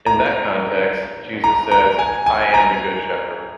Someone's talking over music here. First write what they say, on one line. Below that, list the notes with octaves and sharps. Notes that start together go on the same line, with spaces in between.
In that context, Jesus says, I am the good shepherd.
A#5
A#5
A#5
G#5
G#5
A#5